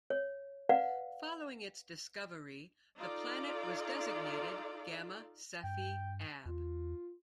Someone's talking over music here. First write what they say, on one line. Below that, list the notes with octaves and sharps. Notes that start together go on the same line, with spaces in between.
Following its discovery the planet was designated Gamma Cephei Ab.
C#5
B4 D5 F5 F#5
D#4 F4 A4 D5
G2 G5
E2 F4